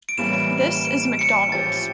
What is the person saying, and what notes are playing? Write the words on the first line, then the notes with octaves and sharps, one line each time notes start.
This is Mcdonald's.
D7
A2 E3 G3 A#3 C#4 E7
E7
D7
C#7
A2 F3 C#4 G4 A6